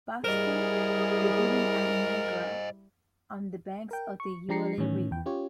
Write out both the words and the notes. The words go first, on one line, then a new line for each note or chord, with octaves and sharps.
Buxton, beginning at Niangara on the banks of the Uele River.
G3 E4 G#4 A#4 C5 D#5
A#4 G5
C#6
F3 D4 G4 A#5 C7 C#7
A2 D#3 E3 C#4
E2 G5
C#4 F4 G4 C#5